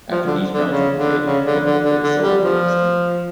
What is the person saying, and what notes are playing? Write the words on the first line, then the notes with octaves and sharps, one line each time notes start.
After these rounds have been played, the winner would play a solo bonus game.
F3
D3
D3
C#3
D3
C#3
D3
D3
D3
D3
G3
F3